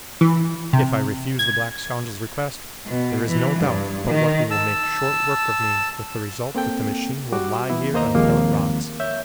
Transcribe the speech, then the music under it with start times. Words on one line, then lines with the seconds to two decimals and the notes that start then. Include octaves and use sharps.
If I refuse the black scoundrel's request, there is no doubt but what he will make short work of me with the result that the machine will lie here until it rots.
0.21 E3
0.73 C3
1.39 G#6
2.86 B2
3.27 E3
3.59 G2
4.07 D#3
4.51 A5 E6
6.55 A#3 C4 A4 G5
7.32 G3 F#4 D6
7.70 E3 B3 E4
7.93 D#2 A#3 C5 D#5 A#5
8.15 D#2 F3 G#3 A#3 C4
9.00 C#5 E5 G6